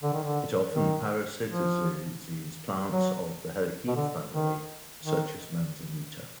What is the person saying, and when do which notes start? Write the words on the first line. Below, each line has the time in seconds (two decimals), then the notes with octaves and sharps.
It often parasitizes plants of the heath family, such as manzanita.
0.03 D3
0.13 D#3
0.24 D3
0.75 D#3
1.46 F3
2.89 F#3
3.88 B2
3.96 D3
4.32 D#3
5.03 D#3